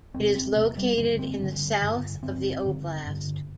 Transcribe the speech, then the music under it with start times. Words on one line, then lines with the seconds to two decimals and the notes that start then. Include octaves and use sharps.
It is located in the south of the oblast.
0.14 E2 C3 C4
0.35 C4
0.56 E2 C3 A#3
0.77 G3
0.97 G2 D3 A#3
1.19 C4
1.39 G2 D3
1.82 G2 D3
2.23 G2 D3 C4
2.65 G2 D3
3.06 G2 D3